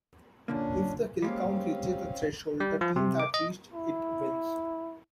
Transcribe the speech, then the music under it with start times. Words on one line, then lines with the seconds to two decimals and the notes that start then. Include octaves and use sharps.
If the killcount reaches a threshold, the team that reached it wins.
0.48 A#2 D3 A#3 C#4 D4
1.22 G3 G#3 A#3 C4 C#4 F5
2.60 G3
2.81 F3
2.96 C3
3.20 D6
3.34 D#5
3.73 E4